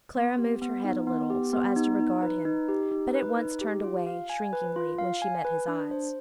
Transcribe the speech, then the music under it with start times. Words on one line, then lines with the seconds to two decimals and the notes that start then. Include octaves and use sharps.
Clara moved her head a little, so as to regard him, but at once turned away, shrinkingly, when she met his eyes.
0.16 B3
0.38 G4
0.62 B3
0.84 D#4
1.07 B3
1.30 G4
1.53 B3
1.76 D#4
1.99 D#4
2.22 B4
2.45 D#4
2.69 G4
2.92 D#4
3.15 B4
3.37 D#4
3.61 G4
3.83 F4
4.07 F5
4.30 G#5
4.53 B4
4.76 F4
4.98 F5
5.22 G#5
5.45 B4
5.68 D4
5.91 C5